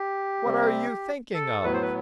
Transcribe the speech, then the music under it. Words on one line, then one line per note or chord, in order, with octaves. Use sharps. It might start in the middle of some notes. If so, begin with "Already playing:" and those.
'What are you thinking of?'
Already playing: G4
C3 G3 C4
A4
A2 F#3 B3 B4
C5
B4